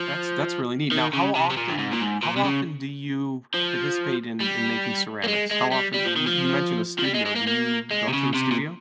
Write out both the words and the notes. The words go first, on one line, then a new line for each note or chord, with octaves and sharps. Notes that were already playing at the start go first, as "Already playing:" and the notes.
That's that's really neat. Now, how often uh, how often do you participate in in making ceramics? How often do you you mentioned a studio. Do you go to a studio?
Already playing: F3
D#3
C#3
C3
C3
A#2
G2
G#2
A#2
G#2
A#2
C3
C#3
F3
G3
A#3
G#3
G#3
G3
G3
F3
D#3
F3
F3
G3
G#3
G#3
A#3
A#3
G#3
C3
C#3
C3
A#2